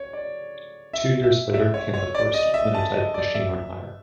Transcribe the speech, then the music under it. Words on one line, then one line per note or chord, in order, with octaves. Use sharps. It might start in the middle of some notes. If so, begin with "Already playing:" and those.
Two years later came the first Linotype machine on hire.
Already playing: C#5
D5
E5
E5
E5
C#5
C#5
D5
D#5
E5
A5
D#5
D5
E5